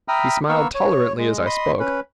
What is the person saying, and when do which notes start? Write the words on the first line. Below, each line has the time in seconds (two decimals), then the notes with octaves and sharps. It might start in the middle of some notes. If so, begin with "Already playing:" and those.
He smiled tolerantly as I spoke.
0.08 E5 G5 A#5 B5 D#6 F6
0.49 A#3 B3 F5 C#6 E6
0.75 C#5
1.18 G#3
1.46 D#5 B5 C6 D#6
1.80 C#4 B4